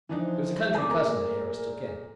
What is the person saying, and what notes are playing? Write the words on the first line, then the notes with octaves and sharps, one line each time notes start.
It was a country cousin that Harris took in.
E3 F3 D4 D#4
G#4 D5
A#2 A3 A#4 A#5